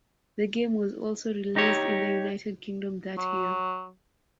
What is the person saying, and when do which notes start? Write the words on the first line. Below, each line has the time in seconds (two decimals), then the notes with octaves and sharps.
The game was also released in the United Kingdom that year.
1.56 D#4 G4 C#5
3.18 F#3